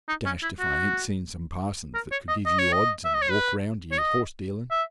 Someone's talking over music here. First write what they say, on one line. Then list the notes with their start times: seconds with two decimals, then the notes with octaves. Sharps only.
'Dashed if I ain't seen some parsons that could give you odds and walk round ye at horse-dealin'.'
0.08 D#4
0.25 C#4
0.43 E4
0.60 F#4
1.94 A#4
2.12 C#5
2.29 D#5
2.46 D#5
2.59 C#5
2.73 D#5
3.05 E5
3.14 D#5
3.22 C#5
3.31 B4
3.92 C#5
3.98 D#5
4.71 E5